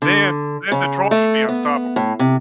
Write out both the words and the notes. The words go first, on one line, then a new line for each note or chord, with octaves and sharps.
then then Detroit would be unstoppable.
D3
C#3
A3
B3
A2
C3